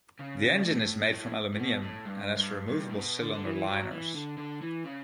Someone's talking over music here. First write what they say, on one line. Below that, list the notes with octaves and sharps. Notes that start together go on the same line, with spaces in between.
The engine is made from aluminium and has removable cylinder liners.
C#3
A2
A2
A2
B2
A2
G2
G2
G2
A2
B2
D3
D3
E3
F#3
E3
D3
D3
E3
C#3